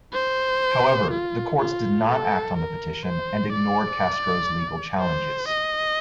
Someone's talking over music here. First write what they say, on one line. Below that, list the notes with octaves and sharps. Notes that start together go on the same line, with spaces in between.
However, the courts did not act on the petition and ignored Castro's legal challenges.
C5
F4
F4
A4
A#4
C5
D5
C5
D#5